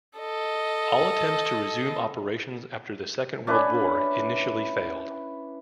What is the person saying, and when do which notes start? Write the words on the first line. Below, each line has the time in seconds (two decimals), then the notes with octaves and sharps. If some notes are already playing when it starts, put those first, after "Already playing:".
All attempts to resume operations after the Second World War initially failed.
0.19 A4 D#5
3.47 C#4 D4 E4 B4